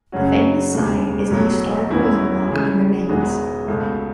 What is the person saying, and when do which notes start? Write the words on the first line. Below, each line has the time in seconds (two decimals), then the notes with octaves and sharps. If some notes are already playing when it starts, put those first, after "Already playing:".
The famous sign is a historical landmark and remains.
0.12 F#2 C#3 F#3 C#4 F#4
0.72 E1 D#2 C#3 G#3
1.31 B1 A2 F#3 B3
1.90 E2 D#3 F#3 C#4 E4
2.49 C#3 E3 G#3
3.09 E1 E2 D#3 G#3 B3
3.68 C#2 B2 A3